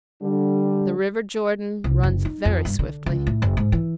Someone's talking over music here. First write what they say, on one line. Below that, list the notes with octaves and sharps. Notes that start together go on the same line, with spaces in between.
The River Jordan runs very swiftly.
D3 G3
C2
F#1
D#4
F2
G2
D3
C#2
A2
F#1
G#2
E3